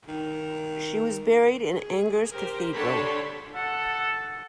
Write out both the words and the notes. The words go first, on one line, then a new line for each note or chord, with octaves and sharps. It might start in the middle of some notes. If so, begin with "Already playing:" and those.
She was buried in Angers Cathedral.
D#3
G#4
G4 A#4 C5
D3 G4 C#5 A5 B5 C6
A4 F#5